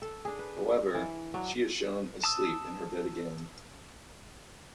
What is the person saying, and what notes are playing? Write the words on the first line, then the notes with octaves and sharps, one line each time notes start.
However, she is shown asleep in her bed again.
A4
D4 G#4
B4
E3
F#3 D4
A5 D#6 E6